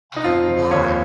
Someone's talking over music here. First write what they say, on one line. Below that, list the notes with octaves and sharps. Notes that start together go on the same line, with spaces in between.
Uh, not,
D#4
F2 F4
F3
D#2 C#5